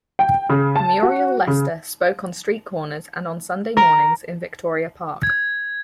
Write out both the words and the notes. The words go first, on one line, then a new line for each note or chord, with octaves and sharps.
Muriel Lester spoke on street corners and on Sunday mornings in Victoria Park.
G5
C#3
A5
F#4
C#3
A#4
G#6